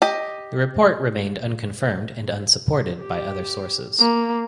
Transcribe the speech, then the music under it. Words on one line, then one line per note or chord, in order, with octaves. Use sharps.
The report remained unconfirmed and unsupported by other sources.
G4 D#5
G4
A#3